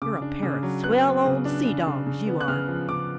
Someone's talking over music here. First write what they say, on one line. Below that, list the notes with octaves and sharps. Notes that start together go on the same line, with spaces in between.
You're a pair of swell old sea-dogs, you are.
C#3 D6
D4
C#3
F#3
B3 F#6
B3
C#3
D4
C#3
C#3
C#3
B3
F#6
C#3 F6
F3
C#3 D6